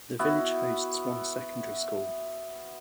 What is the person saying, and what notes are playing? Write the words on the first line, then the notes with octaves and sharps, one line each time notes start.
The village hosts one secondary school.
B3 E4 F#4 E5